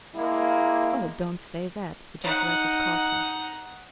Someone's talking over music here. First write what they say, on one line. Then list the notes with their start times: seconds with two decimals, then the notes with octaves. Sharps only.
"Oh, don't say that!" ejaculated Carter.
0.15 G#3 A#3 E4
2.23 D#4 F#5